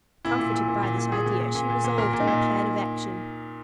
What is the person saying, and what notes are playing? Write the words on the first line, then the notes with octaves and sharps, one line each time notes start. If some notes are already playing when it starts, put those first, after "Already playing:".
Comforted by this idea, she resolved on a plan of action.
A#2 E4
A#2
A#2
A#2
A#2
A#2
A#2 G#4
A#2
A#2
A#2
A#2
A#2
A#2 A#4
A#2
D#4
A#2